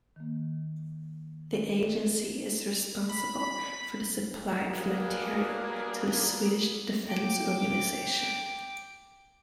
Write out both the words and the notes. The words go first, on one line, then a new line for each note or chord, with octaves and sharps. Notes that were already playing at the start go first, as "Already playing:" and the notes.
The agency is responsible for the supply of materiel to the Swedish defence organisation.
D#3 A#3
B5
F#3 G3 A#3 B3 D4 G#4
G5 D6